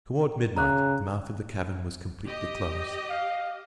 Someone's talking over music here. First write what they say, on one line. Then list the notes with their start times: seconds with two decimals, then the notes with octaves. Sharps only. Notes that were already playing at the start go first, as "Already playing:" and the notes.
Toward midnight the mouth of the cavern was completely closed.
0.56 C#3 A#5 F#6
2.27 G4 D#5
3.09 F5